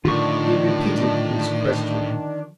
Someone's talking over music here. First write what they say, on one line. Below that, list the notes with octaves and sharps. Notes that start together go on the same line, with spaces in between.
He repeated his question.
A2 D3 D#3 F3 D4 F4 C#6